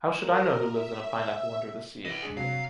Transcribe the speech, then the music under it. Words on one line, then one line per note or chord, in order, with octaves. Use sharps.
How should I know who lives in a pineapple under in the sea?
A#4
E5
E3 C#5 D#5 B6
G#3 D4 G#4
C2 C3 F#3 F5